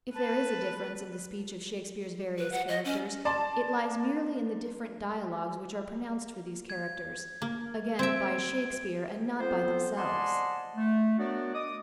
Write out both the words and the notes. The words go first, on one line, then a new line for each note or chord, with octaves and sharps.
If there is a difference in the speech of Shakespeare's various characters, it lies merely in the different dialogs which are pronounced for these characters--again by Shakespeare and not by themselves.
B4 A5
B4
F#5
D#5
C#4
D5 A5 C6
G#6
A#3
C4 E5 G#6 D7
B3 C4 F4 A4 C5
D5 D#5 F#5 G#5 A5 C6
A3
B3 D4 F#4 A#4 C#5 D5
D#5 D6 D#6